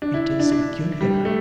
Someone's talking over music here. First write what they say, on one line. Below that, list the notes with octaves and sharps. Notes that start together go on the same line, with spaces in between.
It is peculiar.'
D4
E4
D4
D4
G3
A3